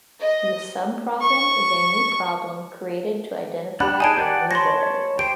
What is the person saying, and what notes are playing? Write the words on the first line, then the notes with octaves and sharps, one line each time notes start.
The subproblem is a new problem created to identify a new variable.
D#5
C#6
D4 G4 F#5 B5
D#4 G#4 G#5 A5 D7
G4 D5 F#5
C#5 A5 B5 C6 A#6
G4 C5 D7